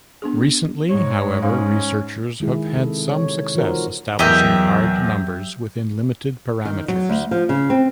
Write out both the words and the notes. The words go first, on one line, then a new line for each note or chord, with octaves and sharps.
Recently, however, researchers have had some success establishing hard numbers within limited parameters.
B3 D4 G#4
G#2 C#5
C#4 D#4 F5
D#3 G#3 E4 G#4
C3 A4
C#5
E3 F3 D#4 F#4 A#4 C5
E2 F#3 G4 A#4 D#5 E5
D#3
F#3
D2
F3
C#3
C4